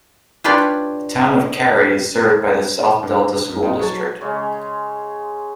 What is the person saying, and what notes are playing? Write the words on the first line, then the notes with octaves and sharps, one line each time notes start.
The town of Cary is served by the South Delta School District.
D4 F4 G4 B4 C#5 D5
G2
F#2
A#2 C4 D#4
F#3 C#5 A5
C#3 G#3 C#4